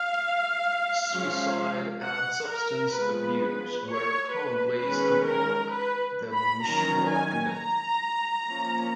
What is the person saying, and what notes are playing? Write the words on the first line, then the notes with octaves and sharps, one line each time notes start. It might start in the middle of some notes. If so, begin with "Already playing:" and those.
Suicide and substance abuse were commonplace among the Mushuau Innu.
Already playing: F5
F3 G#3 C#4
F#5
A#4
F3 G#3 B3 B4
C#5
B4
D#3 G#3 C#4 B4
A#4
B4
B5
D#3 F#3 C#4 A#5
G#5
A#5
F3 A#3 C#4